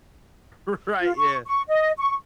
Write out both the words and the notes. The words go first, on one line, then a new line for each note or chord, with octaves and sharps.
R right, yeah.
F4
C#6
C#6
D#5
C#6